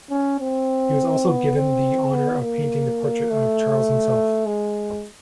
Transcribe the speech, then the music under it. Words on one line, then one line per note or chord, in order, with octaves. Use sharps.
He was also given the honour of painting the portrait of Charles himself.
C#4
C4
B3
C4
B3
A#3
A3
G#3